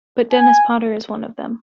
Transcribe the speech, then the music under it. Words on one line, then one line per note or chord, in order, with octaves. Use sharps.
But Dennis Potter is one of them.
G#5